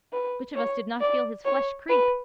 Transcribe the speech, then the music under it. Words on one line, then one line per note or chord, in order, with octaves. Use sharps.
Which of us did not feel his flesh creep!
B4
C#5
D5
C#5
B4